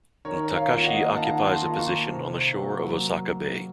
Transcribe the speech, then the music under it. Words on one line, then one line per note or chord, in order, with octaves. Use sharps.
Takaishi occupies a position on the shore of Osaka Bay.
D#3 A#4 C#5
C#5 F5
A#3 F4
D#5 F#5
F#5
D#3 F5 A5
A5 C6
A#3 F4
A#5 C#6
C3
F#3 A#3